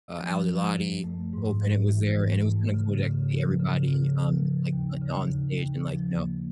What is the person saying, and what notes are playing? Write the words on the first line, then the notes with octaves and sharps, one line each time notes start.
uh, Ali Lati, Cole Bennett was there, and it was kinda cool to actually see everybody, um, like, on on stage and, like, you know,
F3
F3
F#2
A3
G#2
G#2
E3
G#2
A3
C#3
C#3
F3
C#3
C#3
F3
F3
D#2
C#3
D#2
D#2
F3
A#3